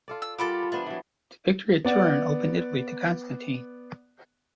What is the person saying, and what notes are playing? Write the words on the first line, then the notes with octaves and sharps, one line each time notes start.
The victory at Turin opened Italy to Constantine.
F4 A4 D5
E6
G3 F4 A4 A#4 F#5 B5 D6
E3 B3 D4 C5
E3 F#3
B3 D5 F#5